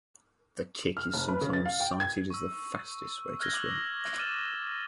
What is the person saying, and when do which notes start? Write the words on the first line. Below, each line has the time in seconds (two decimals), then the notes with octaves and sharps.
The kick is sometimes cited as the fastest way to swim.
0.97 F6
1.13 F1
1.28 B4
1.41 C#3
1.53 A6
1.65 F5
1.80 G5
2.00 G#6
2.30 C#6 E6
3.40 F6 F#6 G#6 A#6 G7
3.54 D6 E6 F#7
4.18 D6 F6 A6 D#7 E7 G7